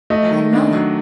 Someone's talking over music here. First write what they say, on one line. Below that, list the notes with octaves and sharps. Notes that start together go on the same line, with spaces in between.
"Why not?"
A3 D#5
D#3
D4
F#3